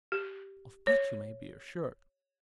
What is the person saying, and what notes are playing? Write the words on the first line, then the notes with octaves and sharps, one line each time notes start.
Of that you may be assured.
G4
C#5